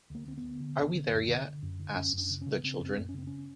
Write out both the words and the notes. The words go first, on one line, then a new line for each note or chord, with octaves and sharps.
"Are we there yet?" asks the children.
D2 A#3
D2 C4
B3
D2
D3
D3
D3
F#2
D3
D3
F#2
D3
F#2 C#4
F#2 D4
C#3
C#3 C#4
B3
C#3 C4
F#2
C4
F#2
C#4
C#3 C4
C#4